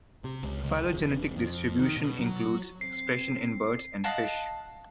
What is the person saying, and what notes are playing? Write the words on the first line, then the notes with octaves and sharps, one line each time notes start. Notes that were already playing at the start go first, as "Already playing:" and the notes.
Phylogenetic distribution includes expression in birds and fish.
C3
C#2
C#2
E1
F2
D#3
B2
F#3
C4 C7
D#5 F5 F#5 A5